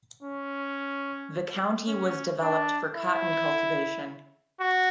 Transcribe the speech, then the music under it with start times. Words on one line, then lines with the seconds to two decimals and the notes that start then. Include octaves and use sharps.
The county was developed for cotton cultivation.
0.23 C#4
1.87 C#4
2.41 D4
2.96 E4
4.60 F#4